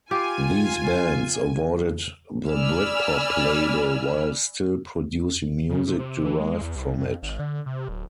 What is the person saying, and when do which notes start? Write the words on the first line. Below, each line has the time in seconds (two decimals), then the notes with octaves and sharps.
These bands avoided the Britpop label while still producing music derived from it.
0.11 F4 G4 G#5
2.49 D5 G#5 B5 E6 F6
5.69 C#3
5.87 C3
5.99 C3
6.24 E3
6.40 G#3
6.61 E2
6.76 C2
6.97 F2
7.22 G#1
7.39 D3
7.66 C3
7.89 D1